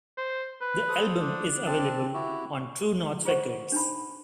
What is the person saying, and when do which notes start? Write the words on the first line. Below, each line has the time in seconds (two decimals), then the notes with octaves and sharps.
The album is available on True North Records.
0.17 C5
0.61 B4
0.89 A4 C5 D#6
1.21 D4
1.67 C4 A5
2.14 E4 F#4 G4
3.25 F4 G#4 C5 F#5 C#6
3.72 D4 D#4 B5